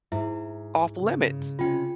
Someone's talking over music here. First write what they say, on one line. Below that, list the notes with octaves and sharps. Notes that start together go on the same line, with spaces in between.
off limits?"
G#2 E4 E5
C#3
C3 C#4 F4 G5